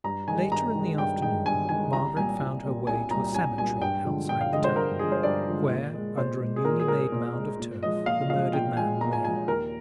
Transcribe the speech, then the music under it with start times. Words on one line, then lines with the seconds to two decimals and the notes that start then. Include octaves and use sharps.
Later in the afternoon, Margaret found her way to a cemetery outside the town, where, under a newly-made mound of turf, the murdered man lay.
0.04 G2 A#5
0.28 D#3 G#3 G#5
0.51 G2 A#5
0.75 D#3 G#3
0.98 G2 G5
1.22 D#3 G#3 G5
1.46 G2 G#5
1.69 D#3 G#3 G#5
1.93 C2 A#5
2.17 A#2 G3 G#5
2.40 C2
2.63 A#2 G3
2.87 C2 G#5
3.11 A#2 G3 A#5
3.34 C2 G#5
3.58 A#2 G3 G#5
3.81 G2 G5
4.05 D3 F3 G#3
4.29 G2 G5
4.41 F5
4.52 D3 F3 G#3 D#5
4.64 C5
4.76 G2 A#4
4.99 D3 F3 G#3 G#4
5.12 C5
5.23 G2 D5
5.47 D3 F3 G#3
5.71 A#2
5.94 G#3
6.18 A#2 C5
6.41 G#3
6.56 G#4
6.65 A#2 A#4
6.80 G#4
6.88 G#3 A#4
7.12 A#2
7.36 G#3
7.60 A#2
7.83 F3 G#3 D#5
8.06 A#2 F5
8.30 F3 G#3 F5
8.53 A#2 G5
8.77 F3 G#3 G#5
9.01 A#2 A#5
9.13 G#5
9.24 G#3 G#5
9.28 F3
9.48 D#2 A#4